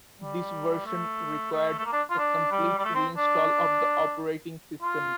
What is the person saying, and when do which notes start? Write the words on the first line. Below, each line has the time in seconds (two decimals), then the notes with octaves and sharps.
This version required a complete reinstall of the operating system.
0.21 G3
0.86 A3
1.52 A3
1.79 A3
1.86 A#3
1.93 D4
2.11 F4
2.18 D4
2.52 G3
2.79 G3
2.85 A3
2.95 C4
3.17 D4
4.82 F4